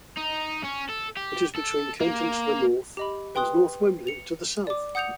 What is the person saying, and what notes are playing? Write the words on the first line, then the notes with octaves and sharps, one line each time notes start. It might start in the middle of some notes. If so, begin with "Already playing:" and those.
It is between Kenton to the north, and North Wembley to the south.
D#4
C#4
A4
G4
A4
A#3
G4 D#5 B5
B4 G5 C6 D#6 F#6
C#7 F7
D5 D6
F#5 D#6 G6 C#7 F7